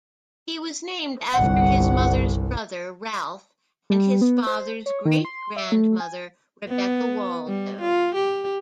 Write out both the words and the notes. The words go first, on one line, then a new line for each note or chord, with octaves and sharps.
He was named after his mother's brother Ralph and his father's great-grandmother Rebecca Waldo.
G1 C2 F#5
G3
B3
C5
C#5
D#3
C6
E5
A3
G#5
B3
G3
F4
G4